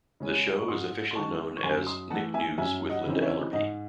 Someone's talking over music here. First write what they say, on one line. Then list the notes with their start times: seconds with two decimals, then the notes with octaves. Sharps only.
The show is officially known as "Nick News with Linda Ellerbee".
0.20 C#3 G#3 C#4
0.58 C#6
0.68 G#2 C6 D#6
1.11 C6
1.16 D#3 G#3 A5 C#6
1.57 C#6
1.63 F#2 G#5 C6
1.86 C6 D#6
2.10 E3 A3 F#5 A5
2.34 E5 G#5
2.58 F#2 E5 G#5
2.89 D#5 F#5
3.06 C#3 E3 C4 D#4
3.21 C#5 E5
3.53 G#2 D#5